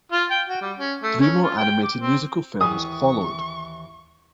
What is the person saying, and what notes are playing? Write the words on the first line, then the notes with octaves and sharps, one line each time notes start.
Three more animated musical films followed.
F4
G5
F#4
G3
C#4
A3
C#4
F4
G5
D6
C4
D#2 E3 G#5 C#6 D#6